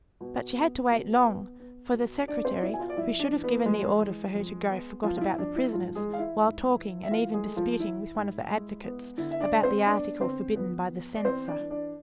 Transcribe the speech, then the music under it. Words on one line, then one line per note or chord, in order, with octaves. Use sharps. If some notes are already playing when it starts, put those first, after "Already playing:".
But she had to wait long, for the secretary, who should have given the order for her to go, forgot about the prisoners while talking and even disputing with one of the advocates about the article forbidden by the censor.
B2
B3
B2
B3
B3
B2
B2 D4 D5
C4 C5
D5
B2 E4 E5
G#5
F4 F5
D5
F2 E4 E5
D4 D5
E3
B3 B4
F2 G#3 G#4
E3
F2
B3
F3 B3 F4
F4
E4
F2 D4
E4
E4
G#2 F3 F4
G#3 G#4
E3
F5
E4 E5
G#2
E3
E5
E3 F4 F5
G#3 G#4
A3
F3 F4
E3 E4
G#2
G#3
B3
D3 E4
E5
D4 D5
G#3
C4 C5
B3 D4 D5
D3 C4 C5
F2 B3 B4
B3
D5
E3 C4 C5
D4 D5
E3
D4 D5